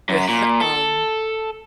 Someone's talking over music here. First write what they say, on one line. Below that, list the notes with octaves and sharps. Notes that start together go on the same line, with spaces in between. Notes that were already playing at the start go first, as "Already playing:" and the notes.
But, um
F#2
A#2
A4